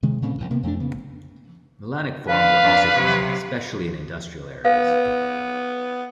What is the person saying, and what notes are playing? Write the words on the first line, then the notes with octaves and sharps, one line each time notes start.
Melanic forms are also common, especially in industrial areas.
C3 D#3 G#3
A#2 C#3 A3 C4
A#1 A2
C3 A#3 B3
F2 A3 D4
C#3 B3
D3 B4 F5
F2 D4
C3 F#3
B3 B4 F5